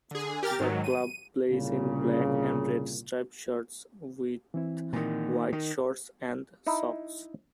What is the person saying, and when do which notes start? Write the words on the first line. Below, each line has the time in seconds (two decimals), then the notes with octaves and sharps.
The club plays in black and red stripe shirts with white shorts and socks.
0.11 D3 G#4
0.43 G4 A#4 F6 A6
0.59 G#2 D#3 F#3
0.84 D#7
1.52 C2 A#2 C#3
4.54 E3 C4 E4
4.93 A#2 D#3
5.53 D#3
6.67 D#4 E4